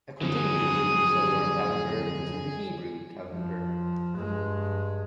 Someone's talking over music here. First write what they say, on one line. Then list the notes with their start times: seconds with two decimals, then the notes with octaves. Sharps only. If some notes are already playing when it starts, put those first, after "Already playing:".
A continuing lunisolar calendar is in the Hebrew calendar.
0.22 F2 D3 F#3 C4 G#4 D#6
3.26 F2 F3
4.15 G2 G#3